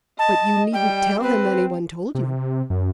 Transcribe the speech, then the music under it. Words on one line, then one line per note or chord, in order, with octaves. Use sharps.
"But you needn't tell him any one told you."
D#5 A5
G3 G5
C4 B4
C3
F#2